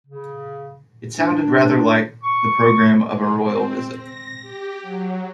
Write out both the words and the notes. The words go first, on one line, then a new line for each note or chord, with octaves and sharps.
It sounded rather like the programme of a Royal visit.
C#3
D4
C#6
G#3
C4
A#6
G4
F#3